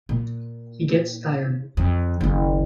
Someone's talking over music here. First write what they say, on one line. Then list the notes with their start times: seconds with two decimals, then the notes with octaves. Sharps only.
He gets tired.
0.09 A#2
1.77 F2
2.21 F#1 D#2